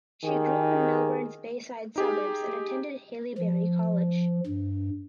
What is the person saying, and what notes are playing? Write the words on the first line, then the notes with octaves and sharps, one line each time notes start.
She grew up in Melbourne’s bayside suburbs and attended Haileybury College.
D#3 G4 G#4
D#4 G4 G#4
F3
G2